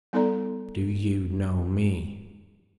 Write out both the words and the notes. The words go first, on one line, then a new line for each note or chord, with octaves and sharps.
"Do you know me?"
G3 B3 D#4 A4 D5 A#5